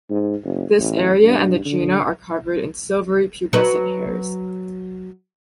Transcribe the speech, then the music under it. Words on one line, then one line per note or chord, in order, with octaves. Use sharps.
This area and the gena are covered in silvery pubescent hairs.
G#2
F#1
A1
G2
D3
F#3 B4